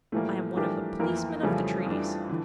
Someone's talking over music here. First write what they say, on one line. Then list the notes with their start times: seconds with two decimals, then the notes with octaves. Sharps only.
I am one of the policemen of the trees.
0.12 A2 E3 F3 G3 A3 A#3
0.56 E3 F3 G3 A3 D4 G4 A#4
0.99 F2 E3 A#3 E4 A#4
1.43 F2 C#3 E3 F3 G3 A3 C#4
1.86 F2 E3 G3 D4
2.29 D3 E3